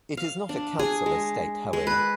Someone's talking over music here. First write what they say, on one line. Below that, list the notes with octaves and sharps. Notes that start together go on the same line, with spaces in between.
It is not a council estate however.
F5
D4
G#4
G#3
G#3
B4